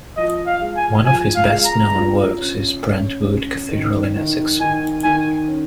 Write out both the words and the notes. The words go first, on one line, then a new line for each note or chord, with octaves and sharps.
One of his best known works is Brentwood Cathedral in Essex.
F3 D#5
F5
G#3
G#5
F3 G#5
F5
G#3
A#5
F4
C#4
C#4
C#4
D#3
D#3
D#3 G#5
D#3 G#5
C#4